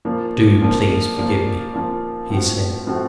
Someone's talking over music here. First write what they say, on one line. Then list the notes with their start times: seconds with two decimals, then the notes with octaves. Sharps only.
"Do please forgive me," he said.
0.05 A#2 F3 A#3
0.62 A#2 F3 A#3
1.17 A#2 F3 A#3
1.74 A#2 F3 A#3
2.30 A2 F3 A3 C4 F#4
2.87 A2 F3 A3 C4 F#4